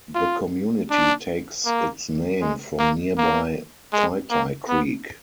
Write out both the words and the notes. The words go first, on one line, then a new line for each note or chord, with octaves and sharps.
The community takes its name from nearby Ty Ty Creek.
F4
D4
A#3
G#3
A#3
A#3
G#3
A#3
B3